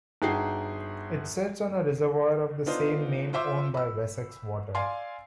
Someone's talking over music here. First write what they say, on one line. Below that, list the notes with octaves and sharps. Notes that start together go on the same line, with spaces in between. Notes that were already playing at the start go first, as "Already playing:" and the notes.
It sits on a reservoir of the same name owned by Wessex Water.
G1 D#4 F#4 G#4 G5 C7
B3 D4 D#4 F4 C5
F4 C5 E5 D6
B5 E6
D5 F5 G#5 C6